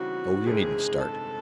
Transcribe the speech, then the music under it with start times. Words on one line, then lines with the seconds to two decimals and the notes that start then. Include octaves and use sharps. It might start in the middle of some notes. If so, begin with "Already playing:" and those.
Oh, you needn't start!
Already playing: C#3 E3 G3 C4 D#4 F#4
0.46 G1 F2 C3 D#3 G#3 G#4
1.00 A4